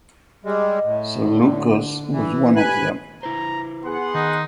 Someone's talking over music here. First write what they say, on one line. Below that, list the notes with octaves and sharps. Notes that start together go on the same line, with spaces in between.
Sir Lucas was one of them.
G3 G#3 D#5
A2
D3
E3
D2 G4 B4 G#5 F#6
E4 B4 C5 A#5
B3 G#4 F#5 C6
D#3 D#4